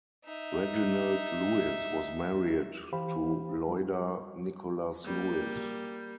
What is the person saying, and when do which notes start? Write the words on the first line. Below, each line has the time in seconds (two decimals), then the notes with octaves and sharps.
Reginald Lewis was married to Loida Nicolas-Lewis.
0.25 D#4 E5
2.93 E3 G4 C5 F5 G5 B5
3.68 G3 F#4
5.05 G3 A#3